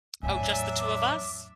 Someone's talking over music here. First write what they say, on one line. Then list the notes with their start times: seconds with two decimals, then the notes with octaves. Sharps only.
Oh, "Just the two of us?"
0.23 E2 A2 F#3 D4 E5 G#5
0.80 D6